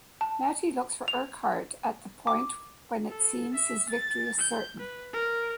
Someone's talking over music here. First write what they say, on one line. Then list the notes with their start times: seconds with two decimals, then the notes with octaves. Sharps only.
Mattie looks for Urquhart at the point when it seems his victory is certain.
0.21 A5
1.08 F7
2.27 D6
3.09 A4
3.54 E5
3.89 A6
4.40 G6
4.80 B4
5.13 A#4